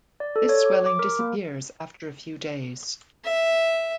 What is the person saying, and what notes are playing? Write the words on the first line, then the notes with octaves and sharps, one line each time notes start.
This swelling disappears after a few days.
D5
A4
C#5
D6
D6
A#4
A#3
E5